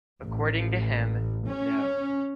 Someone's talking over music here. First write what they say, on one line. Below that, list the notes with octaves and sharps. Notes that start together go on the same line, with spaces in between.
According to him, no.
A1
C#4